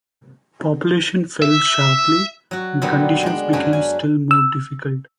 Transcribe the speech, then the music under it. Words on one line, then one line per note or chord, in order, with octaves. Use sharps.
Population fell sharply and conditions became still more difficult.
E5
F#3 F#4
A#2 D3 F#3 G3 B3
G#3 D4
F#2 F#3 C#4 D4 G#5
G#5
E6